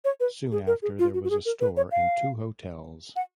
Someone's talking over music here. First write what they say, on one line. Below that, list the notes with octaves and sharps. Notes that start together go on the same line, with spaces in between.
Soon after there was a store and two hotels.
C#5
B4
G#4
A#4
G#4
F4
F#4
F#4
G#4
A#4
B4
C#5
F5
F#5